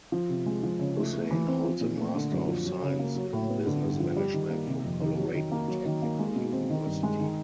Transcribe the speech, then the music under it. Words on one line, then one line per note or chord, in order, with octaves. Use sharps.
Hussain holds an Master of Science in Business Management from Colorado Technical University.
F3
C3
G#3
F3
C#3
A3
A3
E3
C4
F3
A#2
A3
D3
F#2
F3
F#3
C#3
A#3
F#3
A2
B3
D3
G2
F3
G3
D#3
A#3
C3
F2
D#3
F#3
D#3
A#3
F#3
D#3
A#3
G#3
B2
C4
D#3
G2
G#3
D#3